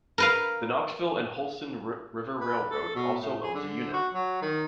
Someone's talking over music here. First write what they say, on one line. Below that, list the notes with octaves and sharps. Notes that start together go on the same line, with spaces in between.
The Knoxville and Holston River Railroad also owns a unit.
A#4 B4 F5
B4
A4
B2
A2
G#4
D3
F#4
F#3
D#3